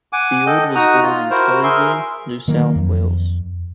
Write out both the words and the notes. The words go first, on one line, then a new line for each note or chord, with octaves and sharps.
Field was born in Kellyville, New South Wales.
F#5 G#5 D6
A4 D#5 G5
D#4 F#4 F#5 A#5 D#6
F4
E4 F#4 A#4 C5
G#4 A#4 E5 C6
D#3 F#3 A#3
F2